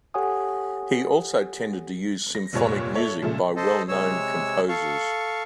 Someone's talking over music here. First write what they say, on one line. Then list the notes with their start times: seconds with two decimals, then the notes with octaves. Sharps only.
He also tended to use symphonic music by well-know composers.
0.14 G4 A4 C#5 F#5 G#5 D#6
2.35 A#6
2.53 F1 G2 A#2 C#5
2.94 A4 C#5 E5
3.22 A#2 C#3 F3 G#3 A3
3.56 A4 C5 D#5
3.89 C3 G#3 C#5 E6
4.69 A4 F5 C#6